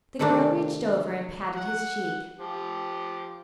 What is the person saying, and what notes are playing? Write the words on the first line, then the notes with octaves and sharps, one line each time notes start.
The girl reached over and patted his cheek.
C3 D#3 A3 C4 D4
F#5
F3 G4